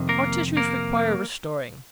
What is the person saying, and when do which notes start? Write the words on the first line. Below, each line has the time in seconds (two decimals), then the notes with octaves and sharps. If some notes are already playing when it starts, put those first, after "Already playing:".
Our tissues require restoring.
Already playing: F2 C3 D#3
0.09 A#3 A#4
0.57 A#3 A#4